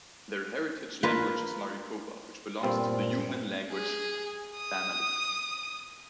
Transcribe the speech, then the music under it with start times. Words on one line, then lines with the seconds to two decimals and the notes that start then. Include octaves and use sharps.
Their heritage language is Maricopa, which belongs to the Yuman language family.
1.03 A#3 F4 B4
2.63 G2 A#2 C4 F4
3.71 G#4
4.57 D#6